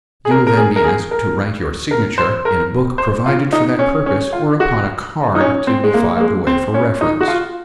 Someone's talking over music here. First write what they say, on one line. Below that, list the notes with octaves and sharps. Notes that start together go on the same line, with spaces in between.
You will then be asked to write your signature in a book provided for that purpose, or upon a card to be filed away for reference.
G#4
A#4
A#4
G#4
A#4
G#4
A#4
A#4
C5
A#4
C5
F4
D#4
C#4
C#4
F4
F#4
D#4
C#4
C4
G#3
A#3
A#3
G#3
C4
C#4
D#4
F#4
F4